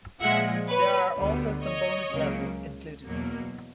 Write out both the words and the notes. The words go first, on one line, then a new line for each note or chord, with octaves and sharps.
There are also some bonus levels included.
A#2 F3 G#3 E5 F#5
B4 C#5
D2 D3 G3 B3
C#5 D#5
C#2 C#3 F#3 A#3
E2 B2 F#3 A#3